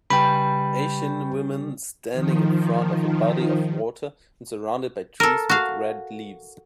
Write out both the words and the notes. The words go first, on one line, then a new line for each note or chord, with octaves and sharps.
Asian women standing in front of a body of water and surrounded by trees with red leaves.
C#3 G3 B4 G5 B5
D#3 F3
A4 A#4
F#4 F5